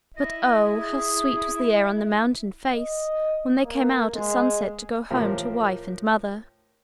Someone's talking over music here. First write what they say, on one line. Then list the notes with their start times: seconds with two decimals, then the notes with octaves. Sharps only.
But oh, how sweet was the air on the mountain face when they came out at sunset to go home to wife and mother!
0.16 E4 D#5
0.63 E4 G#4
2.74 D#5
3.64 A#3
4.15 G#3
5.11 A2 F3 G4 A#4 C5 F5